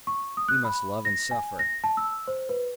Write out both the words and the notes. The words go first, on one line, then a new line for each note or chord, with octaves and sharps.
We must love and suffer....
C#6
D#6
F#6
B5
A#6
G#5
A#6
A5
E6
C5
B4